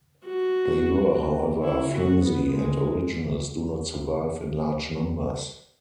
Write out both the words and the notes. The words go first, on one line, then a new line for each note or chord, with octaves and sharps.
They were, however, flimsy, and originals do not survive in large numbers.
F#4
E4
F#4
B3
G#3